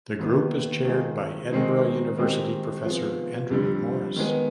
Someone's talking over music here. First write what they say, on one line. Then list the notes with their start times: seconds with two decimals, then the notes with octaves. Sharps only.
The group is chaired by Edinburgh University professor Andrew Morris.
0.19 D#2 D#3 B3
0.85 D#3 G#3 C4 F4 G#4
1.52 D#3 G#3 C4 D#4
2.18 D#3 G#3 C4 G4
2.84 C3 F3 B3 F4 G#4
3.50 F2 D3 G3
4.16 D#3 G#3 B3